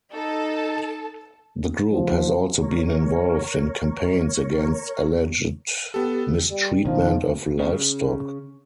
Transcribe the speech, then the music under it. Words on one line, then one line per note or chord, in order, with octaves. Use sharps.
The group has also been involved in campaigns against alleged mistreatment of livestock.
D#4 A4 A5
F3
A#4 C#5
B3 G4 A4
G3
B2 D#3 F3 C#4
C#3